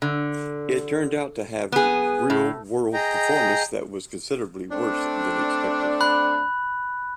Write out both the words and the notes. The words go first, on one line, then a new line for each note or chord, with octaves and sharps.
It turned out to have "real world" performance that was considerably worse than expected.
D3
B3 G#4
A2
G#4 D#5 G5 A#5
A3 C4 D4
B5 F#6